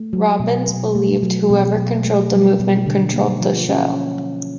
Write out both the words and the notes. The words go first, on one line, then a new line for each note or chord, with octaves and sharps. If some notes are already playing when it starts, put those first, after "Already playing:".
Robbins believed whoever controlled the movement controlled the show.
Already playing: A3
F#3
B2
B2
A3
F#3
B2
B2
A3
F#3
B2
D3
A#3
F3
C#4